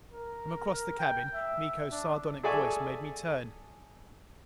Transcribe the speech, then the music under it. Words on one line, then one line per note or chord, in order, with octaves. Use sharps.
From across the cabin, Miko's sardonic voice made me turn.
A#4
G5
E5
D4
G#4 A4 D5 E5 G#5 C#6